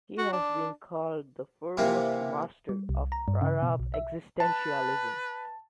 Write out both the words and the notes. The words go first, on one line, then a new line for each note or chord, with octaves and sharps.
He has been called the foremost master of Arab existentialism.
F#4
D4
C3 E3 A#3
G3
C2
A#5
G2
C#3
B2
B1
E5
B4 A5